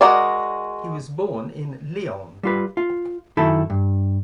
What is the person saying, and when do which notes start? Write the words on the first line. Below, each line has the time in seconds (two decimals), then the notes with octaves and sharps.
He was born in Lyon.
0.01 G#3 F#4 A#4 D5
2.43 G3 F4 B4
2.77 F4
3.37 F#2 D#3 E4 A4 B5
3.70 G2